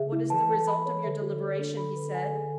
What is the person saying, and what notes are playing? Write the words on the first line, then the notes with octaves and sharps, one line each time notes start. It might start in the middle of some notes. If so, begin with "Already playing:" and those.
"What is the result of your deliberation?" he said.
Already playing: C#3 G#4 E5
E4
E3 A5
A4
B5
C#5
D3 E5
F#4
C#5
D4
B5
B4
G#5
G#4